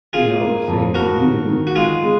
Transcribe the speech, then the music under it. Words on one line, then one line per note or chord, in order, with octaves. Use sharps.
you know, in the same community,
A#3 F4 G#4
A#3
F2
A#3 F#4 A#4
D#3
D#3
F#4
G#3 F4 G#4
G#3